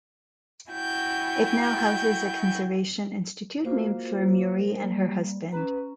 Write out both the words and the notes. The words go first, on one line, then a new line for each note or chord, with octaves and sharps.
It now houses a conservation institute named for Murie and her husband.
E4 F#4 G5 G#5 G6
A#3 F4 F#4 C5
A#4 C5
G3 A#3
C#4 B4 A#5